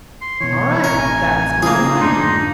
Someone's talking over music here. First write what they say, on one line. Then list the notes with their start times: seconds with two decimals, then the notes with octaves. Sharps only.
"All right--that's my line."
0.21 C6
0.41 B2 E3 C#5
0.84 A1 C3 A#4
0.98 G#5
1.63 C#3 F3 A#3 G#4
2.01 F2 G#2 D3 D4 D#4 C6